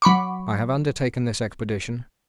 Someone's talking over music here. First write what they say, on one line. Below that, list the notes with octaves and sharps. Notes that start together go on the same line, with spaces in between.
I have undertaken this expedition.
F#3 B5 C#6 D6